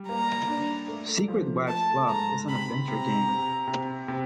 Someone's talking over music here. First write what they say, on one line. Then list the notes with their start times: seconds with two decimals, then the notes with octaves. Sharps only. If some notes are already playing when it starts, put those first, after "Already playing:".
Secret Wives' Club is an adventure game.
Already playing: G3
0.09 A#3 A#5
0.48 D4
0.88 A3
1.28 F3
1.69 A3 A5
2.08 G#2 A#5
2.48 C3 B5
2.88 C3 A#5
3.29 C3
3.68 C3
4.08 C3